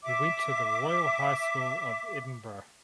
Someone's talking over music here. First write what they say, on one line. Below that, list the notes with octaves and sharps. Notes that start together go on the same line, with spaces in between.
He went to the Royal High School of Edinburgh.
E5 D6